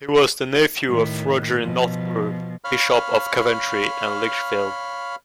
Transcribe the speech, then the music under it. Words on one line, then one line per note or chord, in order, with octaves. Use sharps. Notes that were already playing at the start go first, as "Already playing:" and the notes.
He was the nephew of Roger Northburgh, Bishop of Coventry and Lichfield.
A2 D#3
B2 F3
C#5 F5 B5 F6